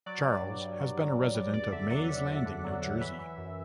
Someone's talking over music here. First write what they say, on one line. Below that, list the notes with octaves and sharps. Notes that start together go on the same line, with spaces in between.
Charles has been a resident of Mays Landing, New Jersey.
F#3 D5
F#3
G2
G2
F#3
F#3
G2
G2
E2 D5
D3 E5
F#3 F#5
E2 E5
E2 D5
D3
F#3
E2
E3 E5
E3
F#2